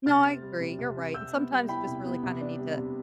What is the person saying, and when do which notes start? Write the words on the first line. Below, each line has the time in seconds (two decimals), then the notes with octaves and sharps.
No, I agree, you're right, and sometimes you just really kinda need to
0.06 C3 F6 A6
0.25 C4
0.42 G3
0.60 C3
0.79 C3
0.97 C4
1.14 C3 E6 G6
1.33 B3
1.51 G3
1.68 E4 G5 B5
1.87 C3
2.05 B3
2.23 C3
2.41 D4
2.59 G3
2.77 C3